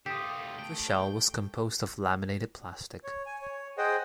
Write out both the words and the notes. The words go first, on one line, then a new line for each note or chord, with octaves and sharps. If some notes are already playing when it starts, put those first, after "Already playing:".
The shell was composed of laminated plastic.
D2 F4 G4 A4 D#6
A3 G5
C#5
G#5
C#5
G#4 C5 D#5 F#5 G5